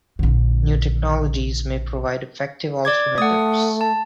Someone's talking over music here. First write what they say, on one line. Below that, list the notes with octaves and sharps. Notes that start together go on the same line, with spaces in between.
New technologies may provide effective alternatives.
A#1 D3
D5 D6 G#6
A3 F#5 D#6
A5